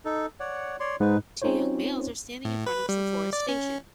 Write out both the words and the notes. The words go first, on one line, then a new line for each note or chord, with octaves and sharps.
Two young males are standing in front of some forestation.
D#4 A4
C#5 D5 F#5
C#5 D5 C6
G#2 D#4 B4
C4 C#4 D#4 F4 C5 C#5
A2
B4
G3
D5
C#4